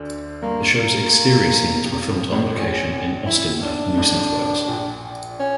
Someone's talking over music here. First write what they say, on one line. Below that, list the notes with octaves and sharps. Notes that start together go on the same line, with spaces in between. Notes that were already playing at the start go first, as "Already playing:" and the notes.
The show's exterior scenes were filmed on location in Austinmer, New South Wales.
Already playing: D2 D3
G2 A#3
A#3
F2
F2
A1 A2
A#1 A#2 C#4
E4
D4
A1 A2
A#1 A#2
C#4